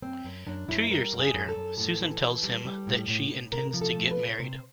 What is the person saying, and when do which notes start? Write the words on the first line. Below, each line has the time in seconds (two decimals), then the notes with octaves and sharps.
Two years later, Susan tells him that she intends to get married.
0.02 F#2 C4
0.25 F#2
0.47 F#2 D4
0.68 F#2 E4
0.90 G3 A#4
1.12 F#2
1.19 G#4
1.34 F#2
1.49 A4
1.56 F#2
1.77 A2 A4
2.00 E3
2.21 E3
2.43 G3
2.65 G3
2.87 A2
3.08 A2
3.31 A2
3.52 C3 A#4
3.71 F3 A#4
3.81 A4
3.96 A3
4.11 B4
4.17 C3
4.29 C#5
4.39 C3 C5